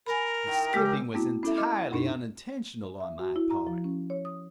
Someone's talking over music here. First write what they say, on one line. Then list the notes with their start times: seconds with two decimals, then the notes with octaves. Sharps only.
The skipping was entirely unintentional on my part.
0.06 A#4 G#5 A#5 B5
0.47 D#3 E4 G5
0.74 C#3 G#3 G4
1.14 A3 B3 C4 E4 F#4
1.43 C#4 E4 A4 E5
1.57 D#5 D6 F6
1.76 G#6
1.92 F#2 B2 D4 D#4
3.00 E5
3.19 F#4
3.36 E4
3.51 A#5
3.67 F3
3.84 C#4
4.10 C#5
4.25 D#6